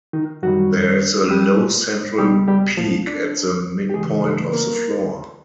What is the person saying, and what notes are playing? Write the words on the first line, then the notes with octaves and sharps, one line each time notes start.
There is a low central peak at the midpoint of the floor.
D#3 D#4
F#2 D#3 F#3 G3 F#4
G3 G4
C#2 B2 G3 G4
G3 G4
F3 F4
D4
G4
D2 C#3 E3 G#3 G#4
A3 A4
A#3 A#4